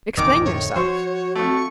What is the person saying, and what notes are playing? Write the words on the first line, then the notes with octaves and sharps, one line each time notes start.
"Explain yourself."
E1 A#1 D#3 D6
F2 A2 D3 C#5
F3 F#4 C5 C#6
F2 A3 C#6